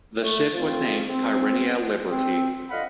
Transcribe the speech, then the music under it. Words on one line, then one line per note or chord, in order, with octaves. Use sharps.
The ship was named "Kyrenia Liberty".
A3
F3 C4 F4
C4
C4
D3 F4 D#5 F5 F#5 B5